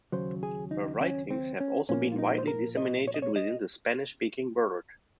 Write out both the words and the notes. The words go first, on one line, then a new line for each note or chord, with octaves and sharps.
Her writings have also been widely disseminated within the Spanish-speaking world.
D#2 C#3 F#3 C5
G#4
D#4
C#4
C4
C#4
A#2 F3 A#3 C#4
F4
D#4
C5
A#4
D#5
C#5
D#5
C#5
D#5